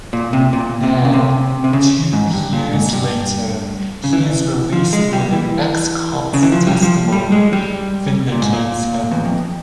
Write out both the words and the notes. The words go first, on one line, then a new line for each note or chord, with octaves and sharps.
Now, two years later, he is released when an ex-cop's testimony vindicates him.
A#2
C3
A#2
C3
C#3
C3
C3
C#3
G#2
G2
A#2
G#2
G2
C#3
E3
F3
G#3
G3
E3
C#3
E3
F3
G3
F3
G3
G#3
G3
A#2
G#2
A#2
E2
F2